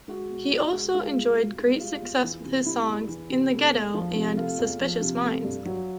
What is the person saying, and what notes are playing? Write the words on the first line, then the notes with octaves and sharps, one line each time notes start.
He also enjoyed great success with his songs "In the Ghetto" and "Suspicious Minds".
G#3 F#4
B2
B2
G#3
G#3 F4
B2
B2
G#3
G3 F4
E2
E3
C3
G3 E4
E2
E3
C3
A3
E2
F3
C3
A3 F4
E2
F3
C3
A3
G2
F#3